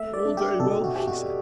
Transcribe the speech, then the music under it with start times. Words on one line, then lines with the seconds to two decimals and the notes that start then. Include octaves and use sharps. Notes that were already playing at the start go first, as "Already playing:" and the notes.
"All very well," she said.
Already playing: A3 E5
0.14 D5
0.25 D4
0.37 G4
0.59 B2 A4
0.84 F#4
0.95 G4
1.08 F#4